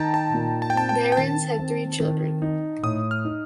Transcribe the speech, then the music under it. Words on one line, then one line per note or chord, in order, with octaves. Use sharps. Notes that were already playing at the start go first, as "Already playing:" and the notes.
Behrens had three children.
Already playing: D#3 D#4 G5 A5 A#5
A5
A#2
A5
G5
C4 A5
G5
G5
D#3 A5
C4
D#3
D#4
A2 D#6
F6
D#4